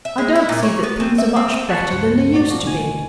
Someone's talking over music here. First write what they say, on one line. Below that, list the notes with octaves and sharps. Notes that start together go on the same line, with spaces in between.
I don't see that things are much better than they used to be.
E5
G#3
E4
A#2
C#5
B3
C4
E5
C4
A5 C#6 F#6 G#6
C#2 G2 C5 C#7
A2 F#4 D5
F3 F#4
D2 B2 G#5